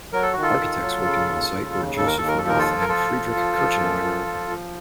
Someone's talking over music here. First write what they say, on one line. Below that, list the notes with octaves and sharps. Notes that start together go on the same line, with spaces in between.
Architects working on site were Joseph Roth and Friedrich Kirchenmayer.
F#3 A#4
A4
D#3 F#4
F4 A4
D#3
F#3
C#3
D#2
C#3
D#2
D#2 A4
A#4
D#2 A4
A#4
F3 A4
A#4
F4 A4
F3
A#4
F3 F4 A4
F3
F3
F3
F#2
F3
F3
F3